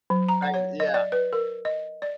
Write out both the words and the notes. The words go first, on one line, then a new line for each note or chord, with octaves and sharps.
Right, yeah.
F#3
A#5
F#5
C#5
D#5
D5
B4
A#4
D#5
D5